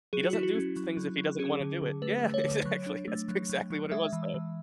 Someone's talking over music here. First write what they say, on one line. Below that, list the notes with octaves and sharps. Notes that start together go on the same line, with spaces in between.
He doesn't do things if he doesn't wanna do it. Yeah. Exactly. That's p exactly what it was, though.
F#3 G#4
F#4
F#3 E4
F#4
C#4
F#3
F#3
F#3
C#4 G#4
D3
D3
A3 B4
A3
C#5
D3
F#3
D4
A3
F#3
F#3
F#3
G#3 E5
E3
E3